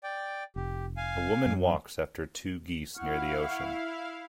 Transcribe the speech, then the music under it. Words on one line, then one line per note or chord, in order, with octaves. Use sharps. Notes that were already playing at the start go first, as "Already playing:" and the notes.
A woman walks after two geese near the ocean.
D5 G5
F1 G4
F5 G#5
F#2
E4 F5 F#5 C#6 F6